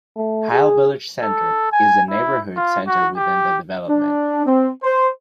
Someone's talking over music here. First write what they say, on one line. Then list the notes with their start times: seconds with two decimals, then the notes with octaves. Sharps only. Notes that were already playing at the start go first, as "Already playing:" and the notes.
Haile Village Center is the neighborhood center within the development.
0.16 A3
0.51 G#4
1.23 A4
1.73 G#5
2.10 E4
2.57 F4
2.88 F#4
3.17 G4
3.88 D4
4.46 C4
4.83 C5